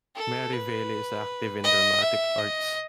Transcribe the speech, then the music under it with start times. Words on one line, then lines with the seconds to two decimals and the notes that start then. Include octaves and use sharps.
Merivale is active in dramatic arts.
0.16 A4
0.53 B4
1.64 D#5
2.01 E5
2.38 D#5